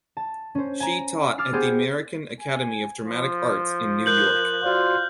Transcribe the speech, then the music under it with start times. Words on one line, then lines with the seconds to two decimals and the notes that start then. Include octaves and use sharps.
She taught at the American Academy of Dramatic Arts in New York.
0.17 A5
0.55 C#4 C5
0.80 G#5 A#5
1.38 D6 E6 F6 A6 C7
1.52 B3 G4 G#4 C5
2.41 G#5
3.04 F3
4.06 F4 A#4 F#6 G6 F#7
4.64 F4 F#4 C5 D5